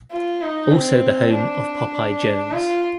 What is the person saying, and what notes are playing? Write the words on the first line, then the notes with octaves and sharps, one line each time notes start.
Also the home of Popeye Jones.
F4
D#4
C4
D4
F4